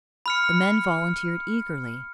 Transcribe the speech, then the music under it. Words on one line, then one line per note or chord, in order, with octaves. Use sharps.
The men volunteered eagerly.
B5 F6 C#7